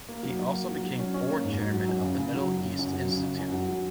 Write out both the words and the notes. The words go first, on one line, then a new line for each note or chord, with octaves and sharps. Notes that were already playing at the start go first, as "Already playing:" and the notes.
He also became board chairman of the Middle East Institute.
A#3
F#3
F#3
A#3
F#3
F#3
C#4
C#4
A#3
G#2
F#3
F#3
F#2
C#3
C#3
F#3
F#2
C#3
F#2
F#3
C#3
F#2
F#2
F#3
F#3